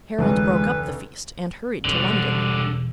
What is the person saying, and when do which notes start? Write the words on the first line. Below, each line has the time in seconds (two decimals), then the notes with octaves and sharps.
Harold broke up the feast and hurried to London.
0.19 F1 D2 E3 G#3 B4
1.85 E1 C2 D3